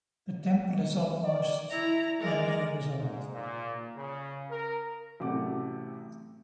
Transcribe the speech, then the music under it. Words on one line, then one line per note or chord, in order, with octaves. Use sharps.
The temple is almost many years old.
D5
E4 E5 A#5
G#3 A#4 D5
G#2
A#2
C#3
A#4
A1 C3 F#3 A3 F#5 D6